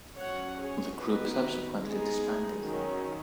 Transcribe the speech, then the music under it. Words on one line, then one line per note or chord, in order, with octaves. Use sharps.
The group subsequently disbanded.
F#3 C#4 C#5 F#5
G#4 C#5
D#3 B3 D#4 F#4 B4
G#3 B3 D#4 G#4
D#3 F#3 C#4